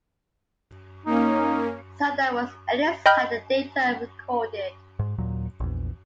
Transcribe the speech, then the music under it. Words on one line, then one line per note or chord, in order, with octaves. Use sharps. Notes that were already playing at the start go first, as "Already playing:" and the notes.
Seldom was any site data recorded.
A#3 C#4 D#4
D#5 G5 B5 F6 G6
G#2
D#2 A#2 F#3
A#1 E2